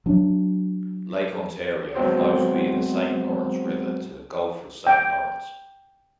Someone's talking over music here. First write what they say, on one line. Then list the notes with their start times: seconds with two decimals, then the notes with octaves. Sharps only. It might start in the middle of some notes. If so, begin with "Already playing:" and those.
Lake Ontario flows via the Saint Lawrence River to the Gulf of Saint Lawrence.
0.06 F#3 D4
1.95 F#3 G#3 B3 C4 F#4 C5
4.87 G5